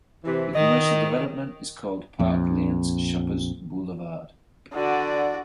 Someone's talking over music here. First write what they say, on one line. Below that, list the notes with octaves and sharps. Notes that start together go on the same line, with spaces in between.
The commercial development is called "Park Lane Shopper's Boulevard".
C3 E3
D#3 D#5
A#1 F2
D3 F#4 D5